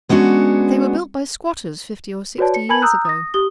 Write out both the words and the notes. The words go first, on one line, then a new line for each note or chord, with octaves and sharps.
'They were built by squatters fifty or sixty years ago.
G#3 B3 C#4 D4 F#4
F#4 B4 C#5 D5 A5
C#7
A#4 G#5 A5 B5 G#6 F#7
A#5 D#6 E6 F#6 G6
D#6 A#6
G4 D#6 G7